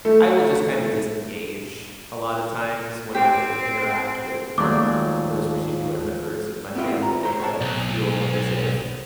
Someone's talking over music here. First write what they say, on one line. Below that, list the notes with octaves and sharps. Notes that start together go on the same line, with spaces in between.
I will just kind of disengage a lotta times when I interact with, um, those particular members of my family that feel as if
A3
C4 G4
D#2 F3 F#3 G#3 A3 D5 D6
B3 C4 D4 E4 F4 G4
A#5
C5 C#5 A#5
C#5 F#5 A5
B1